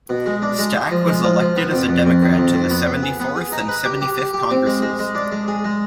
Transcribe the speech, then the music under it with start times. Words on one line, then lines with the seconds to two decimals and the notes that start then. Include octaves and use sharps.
Stack was elected as a Democrat to the Seventy-fourth and Seventy-fifth Congresses.
0.09 B2
0.26 G#3
0.42 D4
0.58 G#3
0.75 G#3
0.91 F3
1.07 G#3
1.24 F3
1.40 F3
1.56 B3
1.73 F2
1.89 F2
2.05 F2
2.22 D#3
2.38 F2
2.54 F2
2.70 B3
2.87 B3
3.03 G#4
3.20 B3
3.36 G#4
3.52 D#4
3.68 B4
3.84 G4
4.01 G4
4.18 G4
4.33 G4
4.51 C4
4.66 G#3
4.82 G#3
4.99 G#3
5.15 D4
5.32 G#3
5.48 G#4
5.64 G#3